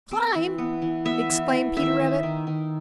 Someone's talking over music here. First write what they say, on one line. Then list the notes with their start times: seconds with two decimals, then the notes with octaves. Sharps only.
"Climb!" exclaimed Peter Rabbit.
0.11 C4
0.36 E3
0.58 B3
0.82 E3
1.05 B3 E5
1.30 E3
1.52 E3
1.76 D#3 E5
2.00 D#3
2.23 D#3
2.47 D#3